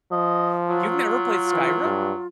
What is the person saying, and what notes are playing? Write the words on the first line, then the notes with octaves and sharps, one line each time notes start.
You've never played Skyrim?
F3 D#5
F#3 F4
E3
G2